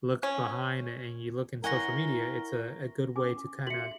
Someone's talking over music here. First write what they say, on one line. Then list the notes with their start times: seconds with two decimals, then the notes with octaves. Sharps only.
look behind, and you look in social media, it's a a good way to kinda
0.23 C#4
1.64 E4 A#4 C#5 F#5 G#5 A#6 G7
3.15 C#4 G#5 D6
3.67 F#4 E5 C#7 F#7